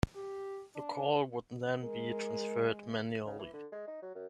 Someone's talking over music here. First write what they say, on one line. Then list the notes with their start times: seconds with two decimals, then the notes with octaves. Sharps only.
The call would then be transferred manually.
0.16 G4
0.76 D4
1.83 G#3 A#4
3.26 C#3
3.39 E3
3.53 D3
3.72 G#3
3.87 D#4
4.02 F#3
4.15 F#2